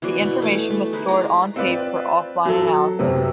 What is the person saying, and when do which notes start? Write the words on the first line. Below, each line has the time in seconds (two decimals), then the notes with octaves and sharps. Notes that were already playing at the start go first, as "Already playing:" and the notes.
The information was stored on tape for off-line analysis.
0.02 E3 B3 F#4 D5
0.18 B2 E3 B5
0.42 A3 G#5 D6
0.70 A3
0.92 G#3 D#4 E4 B4
1.08 D5 A#5
1.56 C4 F4 B4 D5
2.45 F#3 A4
2.99 F#2 C3 F#3 B3